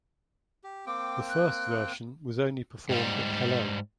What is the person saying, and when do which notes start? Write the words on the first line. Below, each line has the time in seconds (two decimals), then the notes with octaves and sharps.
The first version was only performed at Hello!
0.64 G4
0.86 A#3 C4 G5 D6
1.29 F#6
2.89 G#2 G3